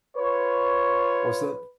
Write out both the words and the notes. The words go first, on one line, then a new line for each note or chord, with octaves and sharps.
What's that?
F4 B4 C#5